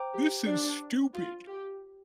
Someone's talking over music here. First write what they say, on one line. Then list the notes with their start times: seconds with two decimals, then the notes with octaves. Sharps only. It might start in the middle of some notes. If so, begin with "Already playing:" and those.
this is stupid.
Already playing: C5 G5 A#5 D6
0.14 G4
0.46 D4
1.13 F4
1.47 G4